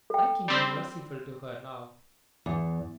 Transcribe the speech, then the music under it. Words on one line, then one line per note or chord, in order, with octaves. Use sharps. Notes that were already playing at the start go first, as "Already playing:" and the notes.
"I can be merciful to her now."
A4 G5
G3 C4
E2